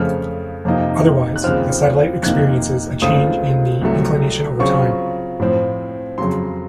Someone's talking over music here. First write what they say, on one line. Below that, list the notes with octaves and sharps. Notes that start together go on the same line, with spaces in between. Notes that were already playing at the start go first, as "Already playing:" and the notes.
Otherwise, the satellite experiences a change in the inclination over time.
Already playing: F2 C#3 F3 A3 F6
F2 C3 F3 A#3 D#4
F#6
D#2 C#3 F3 C4 F4 F6
F2 C3 D#3 A#3 D#4 F#6
C#2 C#3 A3 C4 F4 D#6
C2 C3 F#3 A3
C#3 F#3 C4 F4 C#6
A2 F3 C4
F2 C#3 F#3 C6